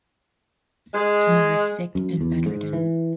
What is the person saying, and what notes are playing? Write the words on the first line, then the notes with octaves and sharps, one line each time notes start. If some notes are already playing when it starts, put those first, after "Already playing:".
Tamar is sick and bedridden.
G#3
F#2
E2
G#2
E3